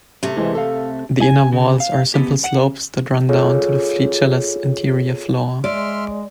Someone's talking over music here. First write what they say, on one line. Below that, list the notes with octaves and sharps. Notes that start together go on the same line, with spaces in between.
The inner walls are simple slopes that run down to the featureless interior floor.
C3 A3
E3 G#3 C5
A4 F5
G#5
C#3
F5
B3 G4
F#5
F4 G#4 A4 C#5
G#3 D5 E5 C6 F6